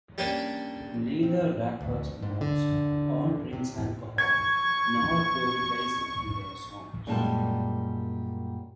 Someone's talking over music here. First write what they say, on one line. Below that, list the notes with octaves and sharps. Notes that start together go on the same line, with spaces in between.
Neither rapper smokes or drinks alcohol, nor glorifies it in their songs.
G3 A#3 C#4 D4
C4
D2
G#2
D3
C3
C#6 G#6
F#2 A#2 G3 G#3 A5